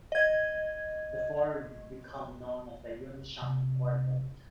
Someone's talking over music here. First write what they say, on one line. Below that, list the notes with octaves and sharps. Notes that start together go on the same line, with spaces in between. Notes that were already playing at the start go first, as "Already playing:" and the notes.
The four become known as the "Yun Shang Quartet".
D#5 G#6
C3